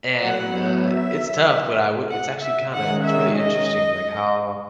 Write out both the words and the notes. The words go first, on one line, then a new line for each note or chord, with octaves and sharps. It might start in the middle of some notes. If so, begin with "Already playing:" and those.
and, uh, it's tough, but I would it's actually kind of it's really interesting like how
F#3 B3 F#5
E5
F#5
E5
D#3 G#3 C#4 F#5
E5
D#5